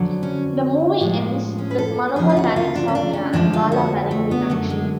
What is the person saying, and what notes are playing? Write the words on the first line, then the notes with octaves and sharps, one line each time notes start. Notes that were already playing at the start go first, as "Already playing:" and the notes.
The movie ends with Manohar marrying Sowmya and Bala marrying Meenakshi.
Already playing: F2 D3 F#3
C#4
A2 F3 G#3
C#4
B4
A4
D2 C#3 F3 G#4
F4
F#4
F4
D4
C#4
D4
C#4
F2 D3 F3 G#3 D4
F4
F#4
A3
B3
F#2 D3 F#3 A3
G#3